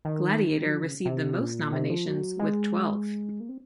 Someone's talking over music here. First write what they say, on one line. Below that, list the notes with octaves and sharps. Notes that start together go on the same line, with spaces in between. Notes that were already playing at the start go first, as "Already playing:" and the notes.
"Gladiator" received the most nominations with twelve.
D#3
F#3
F3
C#3
C3
A#2
C3
F3
F#3
G#3
A#3
C4